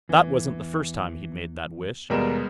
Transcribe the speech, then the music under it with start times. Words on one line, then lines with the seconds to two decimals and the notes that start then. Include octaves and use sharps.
That wasn't the first time he'd made that wish.
0.09 E2 E3
2.10 D#2 B2 G3 G#3 B3 A#4 E7